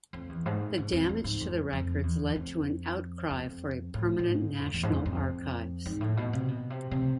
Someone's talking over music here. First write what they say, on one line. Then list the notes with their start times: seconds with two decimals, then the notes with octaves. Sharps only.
The damage to the records led to an outcry for a permanent National Archives.
0.13 F2
0.29 E2
0.46 G#2
0.78 G#2
0.92 F2
1.09 F2
1.24 G#2
1.41 F2
1.73 F2
2.03 E2
2.36 F2
3.30 F2
3.94 A2
4.19 A2
4.26 G#2
4.58 F2
4.74 E2
4.83 G#2
4.90 F2
5.06 F2
5.86 G#2
6.01 A2
6.17 B2
6.33 C3
6.48 B2
6.70 C3
6.91 C3